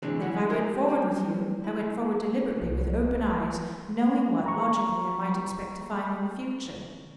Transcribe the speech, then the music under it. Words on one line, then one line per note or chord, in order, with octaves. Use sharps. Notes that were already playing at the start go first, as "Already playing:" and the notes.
That if I went forward with you, I went forward deliberately with open eyes, knowing what, logically, I might expect to find in the future.
D3 E3 F#3 G#3 C4 D4
G3 E4 F#5
G4 A#4 C5
G3 C4
E4
C2
A#5 C#6